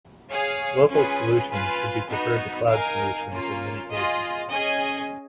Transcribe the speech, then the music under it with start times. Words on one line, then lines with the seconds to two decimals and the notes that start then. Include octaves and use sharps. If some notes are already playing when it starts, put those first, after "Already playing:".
Local solutions should be preferred to cloud solutions in many cases.
0.29 G#4 C#5 F5
0.90 C#4 F4 G#4 B4
1.51 F4 B4 F5 G#5
2.10 B3 D#4 F#4
2.70 D#4 A#4 F5 G#5
3.30 A#3 C#4 F4
3.90 F4 G#4 D#5
4.51 C#4 G#4 D#5 G#5